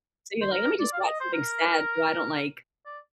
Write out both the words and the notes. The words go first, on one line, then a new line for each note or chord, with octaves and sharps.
So, you're like, "Let me just watch something sad so I don't, like,
C5
A#4
D5
F5
D5
D#5
C5
A#4
D5